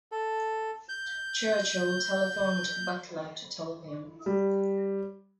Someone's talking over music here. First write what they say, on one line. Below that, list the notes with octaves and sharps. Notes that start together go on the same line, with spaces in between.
Churchill telephoned Butler to tell him.
A4
G6
G3